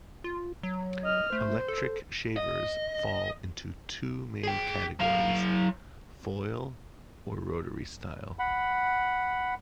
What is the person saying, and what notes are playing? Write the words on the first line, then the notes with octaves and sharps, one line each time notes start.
Electric shavers fall into two main categories: foil or rotary-style.
F4
F#3
D#5 F6
A3 C5
A4
D#5
G#4 G5
F#3 F5
F#5 B5